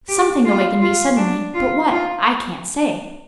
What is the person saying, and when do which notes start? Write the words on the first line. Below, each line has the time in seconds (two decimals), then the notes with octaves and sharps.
Something awakened me suddenly; but what, I can't say.
0.09 G4
0.45 F4
0.82 F4
1.17 D4
1.54 F4
1.91 F4